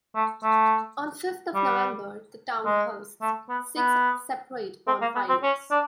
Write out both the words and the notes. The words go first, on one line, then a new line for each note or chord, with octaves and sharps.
On Fifth of November, the town hosts six separate bonfires.
A3
A3
G3
G#3
A3
B3
B3
C4
A#3
B3
C4
C#4
D4